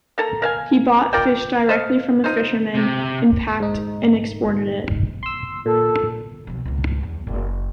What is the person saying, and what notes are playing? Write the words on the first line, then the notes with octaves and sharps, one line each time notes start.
He bought fish directly from the fishermen, and packed and exported it.
A#3 A4 A#5
A#4 F5 G#5
F4 A#4 D5 G5
C5 D#5 F5
D#4 F4 C5
C3
G#2 D#4
C6 E6
A#2 A4
B1 F2
C#2 G#2
E2 F#3
F#1